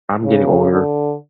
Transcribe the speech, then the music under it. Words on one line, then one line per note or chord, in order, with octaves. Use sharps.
I'm getting older,
C#3
D3